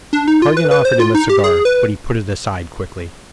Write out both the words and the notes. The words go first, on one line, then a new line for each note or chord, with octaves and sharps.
Cargan offered him a cigar, but he put it aside quickly.
D4
D#4
F4
B4
B4
C5
F4
D#4
G4
G#4
B4